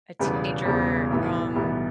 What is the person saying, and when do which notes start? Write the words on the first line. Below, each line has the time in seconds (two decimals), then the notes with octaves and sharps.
a teenager, um,
0.19 E1 E2 C#3 G3 B3
0.65 E1 E2 C#3 G3 B3
1.10 B1 A2 E3 G3 B3
1.55 B1 A2 E3 G3 B3